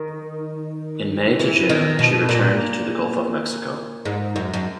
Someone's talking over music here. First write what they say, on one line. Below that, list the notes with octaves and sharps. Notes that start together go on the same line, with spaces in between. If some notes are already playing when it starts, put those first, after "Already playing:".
In May-June, she returned to the Gulf of Mexico.
Already playing: D#3
E3
D#3
B2
A#2
G#2
F#2
F#2